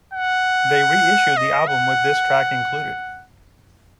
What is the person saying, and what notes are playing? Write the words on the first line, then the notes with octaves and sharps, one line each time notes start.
They re-issued the album with this track included.
F#5
D#5
F#5